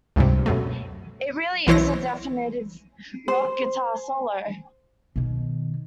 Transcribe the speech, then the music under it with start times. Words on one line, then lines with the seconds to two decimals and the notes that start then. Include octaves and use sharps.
It really is the definitive rock guitar solo.
0.16 C#2 G2 C3
0.46 F#2 B2 A3
1.67 B1 E3 E4 C5 C#5 A#6
3.28 C5
5.16 B2 D#3